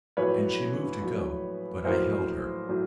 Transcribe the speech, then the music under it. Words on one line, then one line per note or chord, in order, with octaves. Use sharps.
And she moved to go, but I held her.
A#1 A2 F#3 B4 C#5
A#1 A2 F#3
A#1 A2 F#3 A#4 C5
A2 F#3